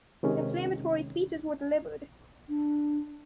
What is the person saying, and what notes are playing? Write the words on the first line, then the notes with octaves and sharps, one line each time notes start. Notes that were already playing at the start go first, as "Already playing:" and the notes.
Inflammatory speeches were delivered.
C3 D#3 G#3 C#4
D4